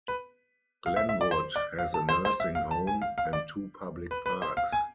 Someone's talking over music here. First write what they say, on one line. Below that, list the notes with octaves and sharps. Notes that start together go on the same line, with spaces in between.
Glenwood has a nursing home and two public parks.
B4
F5
E5
E5
D5
C5
D5
F5
A5
C5
C5
E5
F5
A5
G#5
F5
F5
D5
B4
B4
C5
F5
G#5